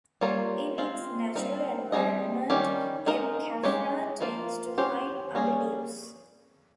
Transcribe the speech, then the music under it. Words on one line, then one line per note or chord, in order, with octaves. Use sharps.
In its natural environment, M. caffra tends to hide under leaves.
G3 A#3 F4 A#4 C#5
G#3 C4 F4
G3 C4 D#4 A#4
G3 C4 D#4 G#4 D#5
D#3 G3 C#4 G4
G#3 D#4 A#4 D#5
G#3 C#4 G4 C#5
F3 A#3 F4
C#4 G4 C5
G3 C#4 G#4